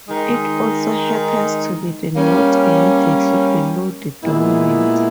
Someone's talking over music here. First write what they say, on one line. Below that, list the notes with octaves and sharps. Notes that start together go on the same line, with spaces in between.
It also happens to be the note immediately "below" the dominant.
D#3 G#3 D#4
G3 A#3 C#4
A#2 G#3 B3 E4